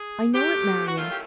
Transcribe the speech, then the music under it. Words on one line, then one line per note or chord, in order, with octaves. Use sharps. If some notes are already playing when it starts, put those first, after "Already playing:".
"I know it, Marian."
Already playing: G#4
B2 F#3 A3 G4
F#4
D#3 F#3 A3 C#4 E4 F4
G4